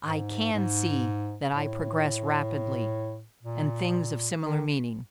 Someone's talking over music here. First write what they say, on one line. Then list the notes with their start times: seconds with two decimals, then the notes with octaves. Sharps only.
"I can see that I progress rapidly," and things of similar meaning.
0.05 G#2
0.53 G#2
1.50 A2
3.43 A#2
4.40 D#3